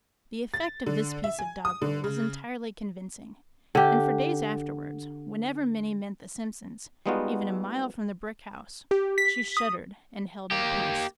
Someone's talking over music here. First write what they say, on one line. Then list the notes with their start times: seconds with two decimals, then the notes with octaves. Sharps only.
The effect of this piece of doggerel was entirely convincing, and for days afterwards whenever Minnie met the Simpsons even a mile from the brick house she shuddered and held her peace.
0.54 A6
0.86 D3
1.24 E5
1.39 G#5
1.65 D#6
1.82 D3
2.04 C#3
3.75 D3 G4
7.06 G3 G#3 B3 D#4 F4 F#4
8.91 G4
9.18 B6
9.57 D#6
10.51 A#3 G4